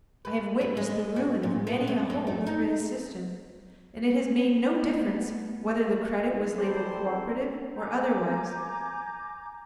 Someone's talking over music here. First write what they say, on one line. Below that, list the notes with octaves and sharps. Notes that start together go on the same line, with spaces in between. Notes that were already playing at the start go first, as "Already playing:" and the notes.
I have witnessed the ruin of many a home through the system, and it has made no difference whether the credit was labelled co-operative or otherwise.
B4
B4
G#3
F#4
A#2
B3
F#2
F#2
A3
D#4
A3 B3
E3 C4 E4 A4 C5 D5
G#5 A#5 D6 G6